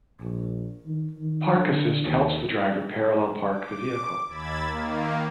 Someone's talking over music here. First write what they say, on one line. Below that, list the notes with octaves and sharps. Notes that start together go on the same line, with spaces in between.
Park Assist helps the driver parallel park the vehicle.
A#1
D#3
D#3
D3
D#2
D6
D#2 B5 E6 G#6 A6
D#3 A#3